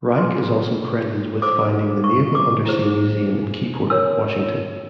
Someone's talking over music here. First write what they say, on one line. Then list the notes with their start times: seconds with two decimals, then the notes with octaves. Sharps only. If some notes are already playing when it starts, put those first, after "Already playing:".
Reich is also credited with founding the Naval Undersea Museum in Keyport, Washington.
0.18 F4 G#4 B4 C6
1.42 F#4 A4 C5 D6
2.04 C#6
2.35 D6
2.66 E4 G#4 C5
3.90 D4 F#4 A#4 C#5 E6